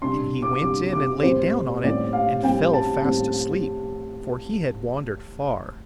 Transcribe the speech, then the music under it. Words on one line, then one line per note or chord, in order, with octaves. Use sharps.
And he went in and lay down on it, and fell fast asleep, for he had wandered far.
C3 G3 D4 C6
D6
C3 G3 D4 D6
D6
A2 G3 C4 C5
A2 G3 C4 D5
F5
A2 G3 C4 G5
A5
A2 G3 C4